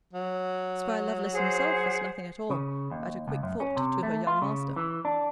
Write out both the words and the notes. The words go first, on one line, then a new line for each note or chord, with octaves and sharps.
'Squire Lovelace himself was nothing at all at a quick thought to her young master.
F#3
G#4 C5 F#5
C#3
D#2
C#2
F#2
C#4
C3
A3
F4
C#3
E3
D4